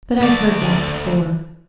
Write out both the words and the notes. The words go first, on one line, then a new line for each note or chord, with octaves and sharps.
But I'd heard that before.
D2 D5